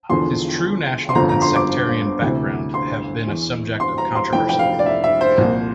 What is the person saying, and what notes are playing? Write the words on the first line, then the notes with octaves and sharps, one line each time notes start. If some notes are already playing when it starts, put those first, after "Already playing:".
His true national and sectarian background have been a subject of controversy.
E1 E2 D3 F3 C6
C6
G1 F2 D3 F3 A#5
A#5
C6
D6
D2 C3 E3
C6
E2 E3
C6
A#5
C6
F1 F2 E3 G5
G5
F5
D5
E5
E5
C5
C2 A#2 F3